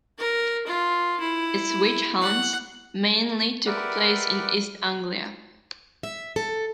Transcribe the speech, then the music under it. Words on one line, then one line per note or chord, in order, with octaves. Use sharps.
His witch-hunts mainly took place in East Anglia.
A#4
F4
E4
F#5
G4 A#4 B4 D5 E5 F#5
E5
A4